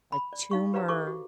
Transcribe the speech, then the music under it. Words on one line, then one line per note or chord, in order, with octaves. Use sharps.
a tumor
B5
D5
D#4 F5 C#6
G4 B4 C5 D5 F5 A#5
A4 C#6 D6
F#4